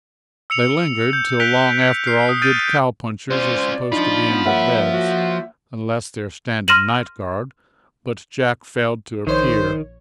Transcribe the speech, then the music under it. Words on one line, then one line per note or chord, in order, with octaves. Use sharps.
They lingered till long after all good cowpunchers are supposed to be in their beds--unless they are standing night-guard--but Jack failed to appear.
E6 C#7 F7
G6
F#6 G6 B6 D7 F7 G7
F6 C7
D#6
F6 G6 A6 D7 D#7
C#4 F4 C5 D5
F3 D4 D#4 F4 B5
B3
A#3 C#5 E5 F#5
F#4
C6 F6 A#6 D#7 E7 F#7
A#1 D#3 C5 C#5